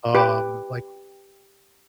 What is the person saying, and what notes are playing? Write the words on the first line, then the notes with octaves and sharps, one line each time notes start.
um, like,
G4 B4 D6